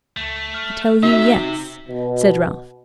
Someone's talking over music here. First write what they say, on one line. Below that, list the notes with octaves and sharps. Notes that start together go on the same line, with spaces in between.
I tell you yes,' said Ralph.
C#2 A3
F6
C3 C4 D#4 F#4 E5
B2